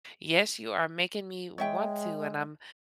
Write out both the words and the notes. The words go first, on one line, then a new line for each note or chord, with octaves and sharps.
Yes, you are making me want to, and I'm
G#3 C#5 E5 G5